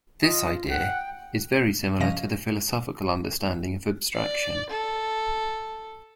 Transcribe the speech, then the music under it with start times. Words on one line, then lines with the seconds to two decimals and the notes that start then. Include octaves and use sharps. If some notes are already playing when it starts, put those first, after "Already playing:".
This idea is very similar to the philosophical understanding of abstraction.
0.24 F4 D#5
0.71 F#5 G5
2.00 C3 F3 C#4 D#5 F5 A#6
4.14 D5
4.70 A4